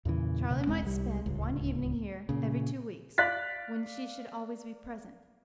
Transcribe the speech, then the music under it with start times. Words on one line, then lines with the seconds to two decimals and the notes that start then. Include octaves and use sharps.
Charley might spend one evening here every two weeks, when she should always be present.
0.05 E2 A#2 C#3 E3
0.50 D2 C3
0.66 E1 F#2 G#3 C4
0.82 C2 G3
1.26 D1 C#2
2.29 A#2 C#3
3.18 D5 F5 F#6 A6 B6